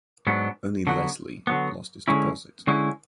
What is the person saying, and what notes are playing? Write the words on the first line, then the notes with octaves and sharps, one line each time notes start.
Only Leslie lost his deposit.
G#2 F#3 B3 D4
D3 F#3 B3
D3 F#3 B3
D3 G#3 C#4 E4
D3 G#3 C#4 E4